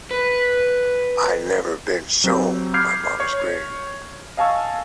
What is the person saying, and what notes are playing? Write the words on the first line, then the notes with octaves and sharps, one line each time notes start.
I had never been shown my mama's grave.
B4
F#3 C4 G4
B5 D6 F6 G6 G#6 C7
C#5
D#5 F5 G#5 A5 C#6 E6